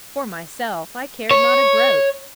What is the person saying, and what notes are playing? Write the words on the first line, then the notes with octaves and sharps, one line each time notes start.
For myself, I cared not a groat.
C#5